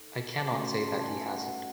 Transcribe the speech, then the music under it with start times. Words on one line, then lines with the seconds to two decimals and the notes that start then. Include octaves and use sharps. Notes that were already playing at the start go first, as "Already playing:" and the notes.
I cannot say that he hasn't.
Already playing: D#4 A4
0.51 A3 C#4 F#4 A4 C6
0.70 C6
0.88 A5
1.08 G#5
1.21 E5
1.26 F#5